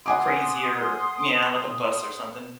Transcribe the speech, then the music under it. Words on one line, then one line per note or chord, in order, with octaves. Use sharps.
crazier, yeah, like a bus or something.
F#5 G#5 C6 D6 D#6